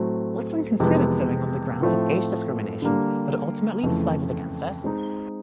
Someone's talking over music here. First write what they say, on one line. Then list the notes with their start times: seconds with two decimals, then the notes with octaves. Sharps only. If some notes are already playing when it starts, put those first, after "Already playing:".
Watson considered suing on the grounds of age discrimination but ultimately decided against it.
Already playing: A2 F#3 A3 C4
0.80 F2 C3 E3 G#3 B3
1.81 A2 F3 A3 C4
2.82 D3 G3 A#3
3.83 F2 C#3 E3 A3
4.84 G#3 C4 D#4